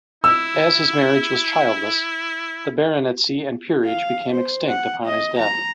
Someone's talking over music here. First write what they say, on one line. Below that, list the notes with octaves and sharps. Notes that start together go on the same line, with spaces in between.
As his marriage was childless, the baronetcy and peerage became extinct upon his death.
E4 E6
F5
C5
F#5
D#5
A#5